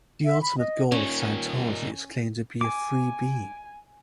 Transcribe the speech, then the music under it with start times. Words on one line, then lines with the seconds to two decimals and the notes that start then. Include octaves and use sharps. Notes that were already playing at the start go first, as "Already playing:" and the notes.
The ultimate goal of Scientology is claimed to be "a free being".
0.25 E5
0.42 B5
0.58 D#5
0.92 A#2 D#3 C#4
2.61 G#5 D6